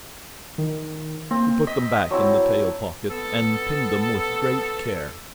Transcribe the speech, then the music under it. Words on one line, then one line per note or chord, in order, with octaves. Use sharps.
He put them back in the tail-pocket and pinned them with great care.
D#3
A#3 C4
D#5 B6
F#3 C4 E4 A5
B3 A4